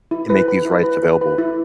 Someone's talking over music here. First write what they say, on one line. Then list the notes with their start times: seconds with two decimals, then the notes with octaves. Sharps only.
and make these rights available."
0.11 E4
0.30 B4
0.48 B4
0.65 E4
0.84 B4
1.03 B4
1.21 B4
1.38 E4